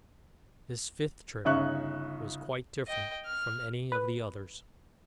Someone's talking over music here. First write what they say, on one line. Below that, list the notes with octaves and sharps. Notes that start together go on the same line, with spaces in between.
THIS fifth trip was quite different from any of the others.
G1 C#3 D#4 E5 C#6 F#6
D#5 G5
F6
B4